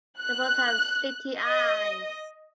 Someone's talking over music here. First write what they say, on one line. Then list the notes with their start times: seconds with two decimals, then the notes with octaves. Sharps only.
They both have slitty eyes.
0.17 F#6
1.38 D#5